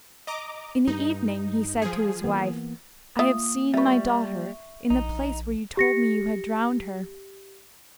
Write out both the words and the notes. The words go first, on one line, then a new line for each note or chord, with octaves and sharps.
In the evening he said to his wife: 'I have seen my daughter, in the place where you told me you had drowned her.
D#5 A#5 D6
G2 D#4
F3 G#4
E3 A#3 B3
A#3 F4 E5 D#6
G3 F4 B4 E5 C#6
A#1 D#4
G4 A#6 C#7